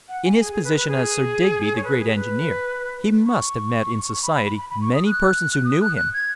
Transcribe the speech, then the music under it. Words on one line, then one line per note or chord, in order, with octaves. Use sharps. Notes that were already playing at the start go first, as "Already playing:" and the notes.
In his position as Sir Digby, the great engineer, he must have met in society many persons who knew him.
F#5
G#5
G#4
G#4
B4
B4
G#4
C#5
B4
G#4
B4
C#6
B5
B5
B5
B5
B5
C#6
D#6
F#6
D#6
F#6
F#6
G#6